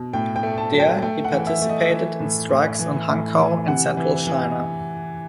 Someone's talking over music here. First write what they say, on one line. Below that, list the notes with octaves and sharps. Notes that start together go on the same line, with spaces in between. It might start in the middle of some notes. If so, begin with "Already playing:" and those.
There he participated in strikes on Hankou in Central China.
Already playing: B2
A2 G5
G5
A3
A5
F#3
G5
A3 G5
F#5
E3
E5
A3
D#5
E3 E5
A2
A2
E3
A2
E3
C3 F#5
E3
E3